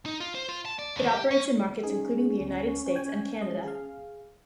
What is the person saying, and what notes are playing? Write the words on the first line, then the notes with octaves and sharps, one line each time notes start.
It operates in markets including the United States, and Canada.
D#4
F4
C5
F4
A5
D5
D#2
G4
C#4
C#4 D#4 G#4
D2
G5 G#5
G#3 D#5
G#4 F5